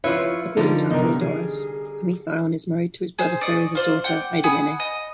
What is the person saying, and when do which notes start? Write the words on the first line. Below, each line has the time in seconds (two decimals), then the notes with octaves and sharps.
According to Apollodoros, Amythaon is married to his brother Pheres' daughter, Eidomene.
0.04 F3 E4 F4 B4 C#5
0.57 D3 F3 G3 D#4 A#4
0.90 C3 E3 B3 D#4 A#4
1.21 G#4
3.19 G#4 C5
3.41 D5 D#5 C#6 D#6
3.75 F4 C5 D5
4.04 F#5 G5 D6
4.44 G#4 F#5 B5 D#6
4.80 D#5